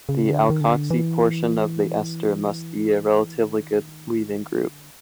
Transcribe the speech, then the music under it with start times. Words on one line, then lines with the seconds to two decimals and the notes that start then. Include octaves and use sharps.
The alkoxy portion of the ester must be a relatively good leaving group.
0.09 C#3
0.30 D3
0.50 D#3
0.61 D3
0.90 E3
3.35 D#3
4.58 D3